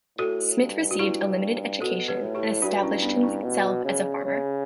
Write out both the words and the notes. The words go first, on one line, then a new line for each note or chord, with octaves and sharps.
Smith received a limited education, and established himself as a farmer.
A2 F#4 A4
G2
F#4
G2 E4 G4
B2 F#4 A4
G4 B4
A2
E4 G4
G2 D4 F#4
C#4 E4
B3 D4
C#4 E4
B2
C#3
C#3